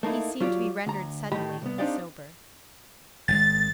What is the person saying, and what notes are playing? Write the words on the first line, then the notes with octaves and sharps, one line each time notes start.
He seemed to be rendered suddenly sober.
A3 A#3 D#4 E4
F#3 F4 G4 D5
D2 A#5
A2 D#3 G4 D#5 B5
C2 B3
C4 D4 D#4 G4 D5 F5
G#1 C3 G#3 A6